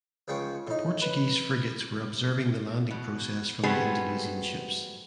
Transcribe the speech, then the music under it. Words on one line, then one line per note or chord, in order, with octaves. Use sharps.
The Portuguese frigates were observing the landing process from the Indonesian ships.
C#2 C#3 F3 G5 C#6
A2 D#4
B4
B2
F#3 G3 A3 B3 C4 G#4